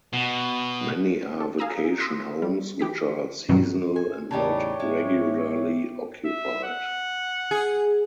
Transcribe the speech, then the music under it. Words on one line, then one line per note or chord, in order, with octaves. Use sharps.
Many are vacation homes which are seasonal and not regularly occupied.
B2
A4
F5 G#5 A#5 D#6 E6
C6 D#6 E6
G3
E3 G4 G#4 B6
G2 B2 D#3 E3 F#3 G3
G#5
E2 A2 C#3 D4 D#4 G4 C#5 A5
G#2 G#3 E5
E5
F#5
G#4